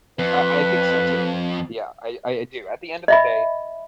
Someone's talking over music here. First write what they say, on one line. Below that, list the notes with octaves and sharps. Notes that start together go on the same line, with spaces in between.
I I think so, too. Yeah, I I I do. At the end of the day,
F2 B4
D#5 E5 B5